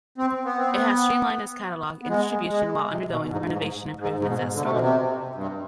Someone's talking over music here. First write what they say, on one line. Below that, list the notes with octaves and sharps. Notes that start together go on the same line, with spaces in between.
It has streamlined its catalog and distribution while undergoing renovation improvements at store level.
C4
B3
C4
B3
B3
G#3
G#3
C3
B2
G#2
G#2
G#2
G#2
B2
D3
C3
B2
C3
G2